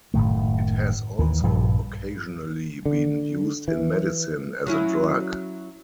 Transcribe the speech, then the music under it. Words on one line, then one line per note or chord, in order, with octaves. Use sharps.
It has also occasionally been used in medicine as a drug.
F#1 A2 D#3 A3
D#2 E3
A#1 G2 D#3 F3
D3
E3
F#3 C#4 E4